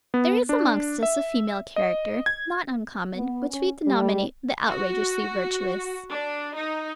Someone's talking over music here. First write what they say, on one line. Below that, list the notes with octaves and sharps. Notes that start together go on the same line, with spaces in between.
There is amongst us a female character, not uncommon, which we denominate the outrageously virtuous.
B3
D4
E5
D#5
G#6
B3
C#4
G3
F#4
D4
D#4